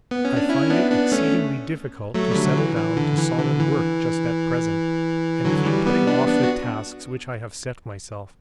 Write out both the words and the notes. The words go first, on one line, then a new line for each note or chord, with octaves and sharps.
I find it exceedingly difficult to settle down to solid work just at present and keep putting off the tasks which I have set myself.
B3
C#4
D4
C#4 E4
B3 D4
B3 D4
A3 C#4
F#3 A3
G3
D3 F#3
D3
E3
E3
D3
E3
D3
E3
D3 F#3
E3 G3
G3 B3
B3 D4
B3 D4
F#4